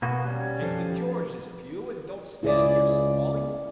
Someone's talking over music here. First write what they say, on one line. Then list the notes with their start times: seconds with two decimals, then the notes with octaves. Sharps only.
"Take the Georges, Pew, and don't stand here squalling."
0.02 B2 A#3 B3 F#4
0.25 G3 C#4
0.62 F3 A4 C5
2.43 C#2 E4 G#4 D5